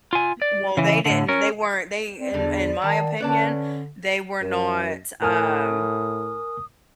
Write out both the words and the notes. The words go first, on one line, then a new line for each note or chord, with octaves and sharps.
Well, they didn't they weren't they, in in my opinion, they were not, um,
F4 G#5
D5
C#3 E3
A2 D3
C#4 A#4
C4 D5
E2 D3 G3
D#3 F#3 A5
D3 C#4 B4 D5 A5
F#2 A#4
A2 A#4 G#5 D#6 F6